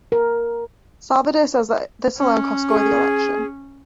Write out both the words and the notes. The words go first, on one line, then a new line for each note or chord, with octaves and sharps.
Salvado says that this alone cost Gore the election.
A#4
C#4
G#4